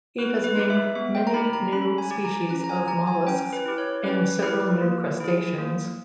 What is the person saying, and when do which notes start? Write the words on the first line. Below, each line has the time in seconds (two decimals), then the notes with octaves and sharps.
He has named many new species of molluscs and several new crustaceans.
0.18 B3 B4
0.44 B4
0.57 D#4 G4
0.70 E5
0.95 B3 E5
1.15 G5
1.27 A#5
1.34 D#4 G4 B5
1.53 A#5
1.72 C#4 B5
1.98 G#5
2.11 G4
2.24 A#5
2.49 C#4 A#5
2.64 A#5
2.69 G#5
2.88 G4 A#5
3.07 G#5
3.27 C#4 G5
3.53 B4
3.66 E4 G4
3.78 C#5
4.04 C#4 B4
4.42 E4 G4 B4
4.81 A#3
5.20 E4 G#4
5.58 A#3